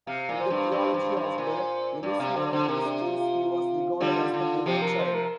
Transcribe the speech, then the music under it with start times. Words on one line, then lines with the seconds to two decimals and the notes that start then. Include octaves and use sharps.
In the theology of the Eleusinian Mysteries he was regarded as the Divine Child.
0.06 C3 F5
0.29 A#2
0.40 C5
0.50 G2
0.72 G2
0.94 G2
1.17 G2
1.38 A#2
2.03 G2 D5
2.20 C3 F5
2.36 D3 C5
2.45 D5
2.53 D3 C5
2.68 C3 A#4
2.86 D4
3.02 F4
3.18 F4
4.00 D3 G3 F4
4.33 D3
4.66 C3 F3 G4
4.82 A#4
4.99 C5
5.14 A#4